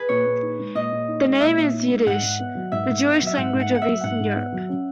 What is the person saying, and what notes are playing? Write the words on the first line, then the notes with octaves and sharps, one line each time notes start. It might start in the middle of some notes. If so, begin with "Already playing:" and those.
The name is Yiddish, the Jewish language of eastern Europe.
Already playing: G#4 B4
A#2 C#5
A#2
D#4
G#3
A#2 D#5
A#2
D#4
G#3
A#2 E5
A#2
D#4
G#3
G#2 F#5
G#2
B3
F#3
G#2 E5
G#2
B3
F#3
E5
G#2 F#5
G#2
F#5
B3 F#5
F#3 E5
G#2 F#5
G#2
B3
F#3
C#4